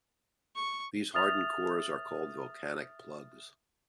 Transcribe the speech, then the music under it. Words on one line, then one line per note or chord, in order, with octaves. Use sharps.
These hardened cores are called volcanic plugs.
C#6
E5 D#6 F6 A6 F7